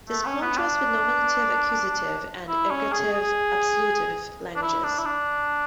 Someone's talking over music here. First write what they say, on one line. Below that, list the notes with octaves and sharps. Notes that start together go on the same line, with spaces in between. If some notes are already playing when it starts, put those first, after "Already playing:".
This contrasts with nominative-accusative and ergative-absolutive languages.
A3
C#4
B3
D4
E4
C#4
G#4
G#4
D4
E4
D4
E4
D4